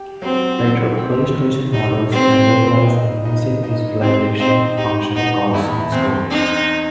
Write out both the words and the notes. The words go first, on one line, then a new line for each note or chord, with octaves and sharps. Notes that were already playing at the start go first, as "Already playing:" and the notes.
Later PlayStation models can utilize a music visualization function called SoundScope.
Already playing: G4
F#3 C4
E4
C4
D#3
G3 D#4
G3 C4
B4
D#4
D#4
D#4
C4 G4
C4 D#4
D#4 G4
B3 D#4
E2 E4
E2 C4
C4 D#4